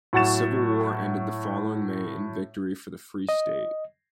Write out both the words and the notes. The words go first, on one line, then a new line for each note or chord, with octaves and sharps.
The Civil War ended the following May in victory for the Free State.
A2 F#3 F#5 C#6 A6 E7
D#5